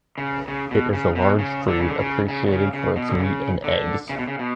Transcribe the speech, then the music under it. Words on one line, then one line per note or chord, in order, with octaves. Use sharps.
It is a large breed, appreciated for its meat and eggs.
C#3
C#3
B2
C#3
B2
C#3
D3
C#3
D3
C#3
C#3
B2
C#3
C#3
B2
D3
C#3
D3
C#3
B2
C#3
B2